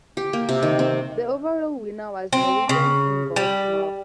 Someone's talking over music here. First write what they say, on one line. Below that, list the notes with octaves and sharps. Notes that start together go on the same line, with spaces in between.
The overall winner was Norwegian Ingolf Mork.
G4
A#3
C3
D#3
C4
C4
C#3
G3